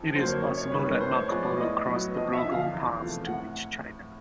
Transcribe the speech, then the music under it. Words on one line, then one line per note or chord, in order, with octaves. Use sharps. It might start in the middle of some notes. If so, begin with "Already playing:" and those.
It is possible that Marco Polo crossed the Broghol Pass to reach China.
Already playing: F2
D3 F#3 A#3 C5
C#5
F#2
C#5
D#3 G3 B4
B4
A2 C5
C#5
F3 G#3 B3 D5
D5
A2 D#5
F#3 B3
F2 D#5
E5
D3 F3
F5
E2
C3 F3 A3
A2 F#5